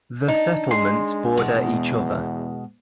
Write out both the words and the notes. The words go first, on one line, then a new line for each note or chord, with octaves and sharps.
The settlements border each other.
D4 D#4
G#3 C6
E2 B2 G#3